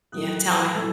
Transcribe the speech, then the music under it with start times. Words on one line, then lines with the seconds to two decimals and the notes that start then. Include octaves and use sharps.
Yeah, tell me.
0.12 A2 F#3 A3 D#6 F#6
0.74 A2 F#3 A3 E6 G#6